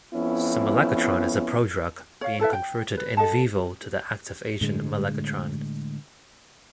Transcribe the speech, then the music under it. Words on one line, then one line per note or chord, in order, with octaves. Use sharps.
Ximelagatran is a prodrug, being converted "in vivo" to the active agent melagatran.
F2 B3 C#4 E4
C#5 F5
E4 A4 B4 E5
G5
B4
A4 D#5 F#5 A5
A2 D3 G#3